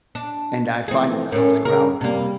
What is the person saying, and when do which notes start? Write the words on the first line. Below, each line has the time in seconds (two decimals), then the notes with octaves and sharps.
And I find that that helps ground me.
0.15 D4
0.88 E3 F3 A3 C4 G#4
1.32 A2 G3 C#4 A#4
1.65 C#3 A#4
2.01 C3 G3 A#3